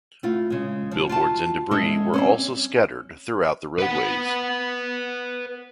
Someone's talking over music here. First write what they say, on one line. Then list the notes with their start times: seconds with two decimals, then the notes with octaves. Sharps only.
Billboards and debris were also scattered throughout the roadways.
0.23 A3 E4 F4
0.50 C#3 G#3
0.91 F3
1.09 F4 F#4 A5
1.71 G#3 C#4 A4 D#5 E5
2.14 G3 C4 C#4
3.79 B4 F#5